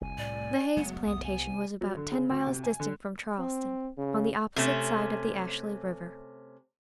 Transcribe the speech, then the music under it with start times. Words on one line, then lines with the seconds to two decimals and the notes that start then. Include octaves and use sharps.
The Hayes plantation was about ten miles distant from Charleston, on the opposite side of the Ashley River.
0.01 F1 C2 G#5
0.18 A2 D5
0.76 F#1 F#3 G#3 A3 B3
1.07 C2 D#6
1.24 C3 G#5
1.81 F#3
1.97 D3
2.12 C#3
2.30 D2
2.47 C3
2.64 G#5
2.80 D3
3.39 C4
3.97 C#3
4.56 C3 A3 C#4